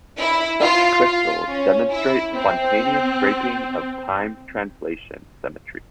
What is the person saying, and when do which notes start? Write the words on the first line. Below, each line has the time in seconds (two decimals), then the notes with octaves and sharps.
Such crystals demonstrate spontaneous breaking of time translation symmetry.
0.18 E4
0.61 F4
1.04 F4
1.47 C#4
1.90 E4
2.34 C4